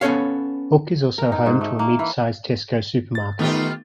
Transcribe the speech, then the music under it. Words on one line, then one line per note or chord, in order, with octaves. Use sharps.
Hook is also home to a mid-sized Tesco supermarket.
B3 C#4 A4 C#5 F5
A#4
D#4
G#2
A3
A#3
E3
A6
D#3 A3 B3 D#4 F4 G4